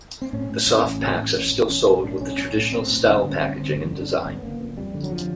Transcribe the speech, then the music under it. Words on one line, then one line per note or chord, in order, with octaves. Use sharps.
The soft packs are still sold with the traditional style packaging and design.
C4
A2 C#4
A2
A2 C#4
A1
A2 C4
A1
A1 C#4
A1
B1 C#4
B1
A2 D4
B1 C#4
B1 C#4
A2
B1 C4
A2
G1 C#4
D4
D3 C4 C#4
G1 C4
C#4
D3 C4
G1
D3
D4
F#2 C#4
G1 B3
B3
F#1 A#3
F2
F2 G3
D3
F#3
F3